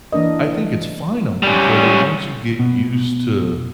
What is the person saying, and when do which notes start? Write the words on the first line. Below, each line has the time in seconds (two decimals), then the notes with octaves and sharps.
I think it's fine on controller once you get used to
0.12 E3 A#3 D4 A#4 D#5
1.43 G3 C#4
2.59 B2